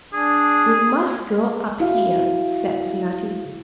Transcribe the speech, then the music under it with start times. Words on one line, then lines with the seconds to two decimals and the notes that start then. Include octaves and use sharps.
'We must go up here,' said Snati.
0.13 D4 G#4
1.80 E4 F#4 F5